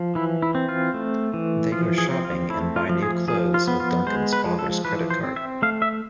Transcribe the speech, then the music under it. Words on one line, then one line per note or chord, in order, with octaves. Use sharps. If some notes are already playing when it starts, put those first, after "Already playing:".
They go shopping and buy new clothes with Duncan's father's credit card.
Already playing: F3
E3 E4
E4
C4
F4
A3
E3
F3 F4
G#4
C4
F4
A3 E4
F4
F3
G#4
F3 G#4
F4
B3
F4
G#3 C5
B4
F3
A4
E3 B4
C5
C4
E5
A3 F5
E5